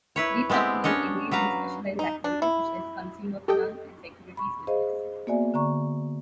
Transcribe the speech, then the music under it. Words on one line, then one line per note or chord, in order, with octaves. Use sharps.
These companies engage in specialized activities, such as consumer finance and securities business.
E4 B4 C#5
G#3 B3 C4 E4 G4
C#4 D4 C#5 D#5
F#3 B4 F5 A#5
D#4
D4
E4
G4 A4 D#5 G5
B5 C#6
G#4 C5 D#5 F5
A#3 B3 F#4 D5 E5 G#5
D3 D5 A#5 C#6